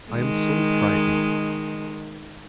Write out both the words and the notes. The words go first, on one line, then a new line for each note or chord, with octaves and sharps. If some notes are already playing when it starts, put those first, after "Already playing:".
I am so frightened.
D#3 G#3